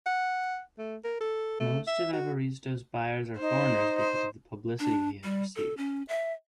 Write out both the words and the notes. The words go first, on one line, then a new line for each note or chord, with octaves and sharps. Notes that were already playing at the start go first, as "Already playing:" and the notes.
Most of Evaristo's buyers are foreigners because of the publicity he has received.
F#5
A3
A#4
A4
A3
E5
F#4
D#4 C5
C5
D4
G3
A4
C#4
E5